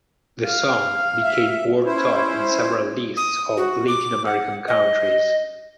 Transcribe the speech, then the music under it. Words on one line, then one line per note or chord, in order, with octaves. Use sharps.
The song became world top in several lists of Latin American countries.
F5
E5
C#4 E4 C5
D#6
F#4
D6
F#5
D#5